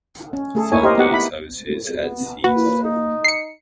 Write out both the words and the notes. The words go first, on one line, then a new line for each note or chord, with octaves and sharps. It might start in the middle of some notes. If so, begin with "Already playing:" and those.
Sunday services had ceased.
C#4
A3 G#4 A4
A#3 D#4 E4 C#5 G#5
G4 A#4 C5 D#5 F5
B3 D#4 G4 F#5
E4 B5
B3
A#3 F#4 B4
D#4
C7 C#7